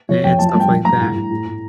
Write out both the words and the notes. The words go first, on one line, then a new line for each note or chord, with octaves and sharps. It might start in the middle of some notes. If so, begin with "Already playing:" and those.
a and stuff like that,
F3 C#5
F2 G5
F3 A5
A5
G2
G5
F3
G2 A#5
A2
A2
A2
A2